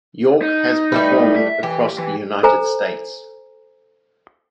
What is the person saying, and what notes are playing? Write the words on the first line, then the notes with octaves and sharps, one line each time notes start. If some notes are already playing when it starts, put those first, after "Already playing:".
York has performed across the United States.
D#4
G3 A3 B4
E5
E3 G4
E3
A4 C5 G#5 A#5